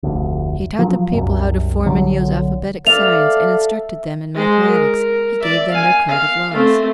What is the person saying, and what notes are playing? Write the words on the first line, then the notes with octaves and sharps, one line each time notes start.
He taught the people how to form and use alphabetic signs and instructed them in mathematics: he gave them their code of laws.
F1 D2
F3 F#3
C2 F#2 C3
B1 D3 F#3
A4 D5 E5 F5 F7
G#3 C5
A#4
D5 E5
F5 G#5
F5
A3 C4